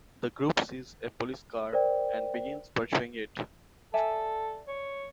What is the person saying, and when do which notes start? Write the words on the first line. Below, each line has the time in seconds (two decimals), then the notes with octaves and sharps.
The group sees a police car and begins pursuing it.
1.73 A#4 C5 D5 G5
3.94 A4 D5 E5 G#5
4.68 C#5